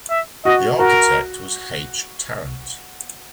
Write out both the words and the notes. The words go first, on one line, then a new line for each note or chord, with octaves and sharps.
The architect was H. Tarrant.
E5
F#4 D#5
F#4 A#4